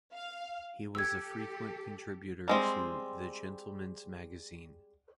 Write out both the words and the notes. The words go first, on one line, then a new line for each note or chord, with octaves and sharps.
He was a frequent contributor to "The Gentleman's Magazine".
F5
G4 A4 E6 G#6
G3 G#3 C4